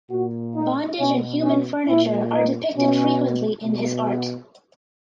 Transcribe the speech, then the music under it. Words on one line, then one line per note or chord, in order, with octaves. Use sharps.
Bondage and human furniture are depicted frequently in his art.
A#2 F#4
D#4
B2 C#4
C#4
A#2 E4
D#4
B2 C#4
B2
B3